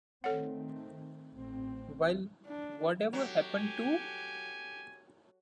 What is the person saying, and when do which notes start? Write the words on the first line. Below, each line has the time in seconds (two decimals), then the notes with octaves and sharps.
While Whatever Happened to...
0.24 D#3 A3 C4 A4 C#5 F#5
1.35 A1 C4
2.47 D4
3.13 F#3 G4 A4
3.52 G#5